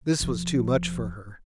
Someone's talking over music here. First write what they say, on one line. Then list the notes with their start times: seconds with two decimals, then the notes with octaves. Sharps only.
This was too much for her.
0.20 E1 F3